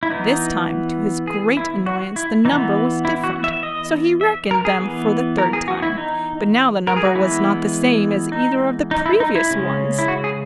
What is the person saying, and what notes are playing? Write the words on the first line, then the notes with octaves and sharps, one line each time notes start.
This time, to his great annoyance, the number was different; so he reckoned them for the third time, but now the number was not the same as either of the previous ones!
E4
E3 B3 D#4
G#4
E4
F#4
E4
E3 B3 D#4
E4
F#4
E5
D#5
E5
A#4
G#4
E3 B3
A#4
G#4
F#4
E4
D#4
A#4
G#4
F#4
E3 G#3 B3 E4
D#4
D#4
E4
D#4
E4
C#3 G#3 C#4
E4
F#4
G#4